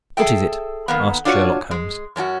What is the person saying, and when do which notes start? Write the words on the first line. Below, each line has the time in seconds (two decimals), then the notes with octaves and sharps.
"What is it?" asked Sherlock Holmes.
0.17 G#4 A4 E5 G5
0.88 D#3 A#3 B3
1.25 D4 F4 F#4 C#5
1.71 G#3
2.16 F#2 C#4 D4 F#4